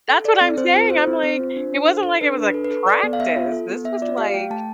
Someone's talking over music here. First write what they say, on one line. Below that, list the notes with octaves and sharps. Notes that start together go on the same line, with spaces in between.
That's what I'm saying, I'm like, it wasn't like it was, like, practice, this was, like
A4
A4 D5
C4
C4 C5
F4
A4 C5
C4
C4
F4
D4
D4
A4
A4
D4 B4
D4
B4
A4
B4
A4
A4 D5
B3
F5
B3 E5
F4
A4
B3
B3 E5
F4 D5
G4 F5
A3 G5
A3 A5